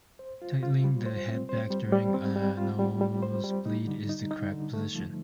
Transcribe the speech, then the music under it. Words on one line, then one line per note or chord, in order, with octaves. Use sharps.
Tilting the head back during a nosebleed is the correct position.
C5
F4
F4
G3
C5
C4
C5
G3
G3
C4
G3
F4
G3
G3
C5
G3
D#4
D3
D#4
D#4
D3
A3
F3